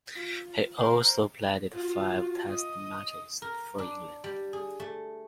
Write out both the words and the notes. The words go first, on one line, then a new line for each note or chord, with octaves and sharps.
He also played five Test matches for England.
F4
A#4 C5
F4 F#4
D#5
A#4
D4
G3
G#4
A3